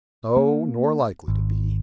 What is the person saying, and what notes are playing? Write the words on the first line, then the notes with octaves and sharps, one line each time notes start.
No; nor likely to be.
A#3
G#1